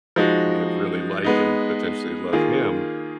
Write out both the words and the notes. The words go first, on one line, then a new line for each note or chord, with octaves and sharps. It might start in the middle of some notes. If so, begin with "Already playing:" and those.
you know, really like and potentially love him.
F3 G#3 D#4 F#4
G#3 B3 D#4
D#3 A#3 F4 G#4